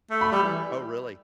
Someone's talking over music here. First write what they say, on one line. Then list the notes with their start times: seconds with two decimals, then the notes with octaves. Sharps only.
Oh, really?
0.10 A3
0.21 B5
0.31 G3
0.43 E3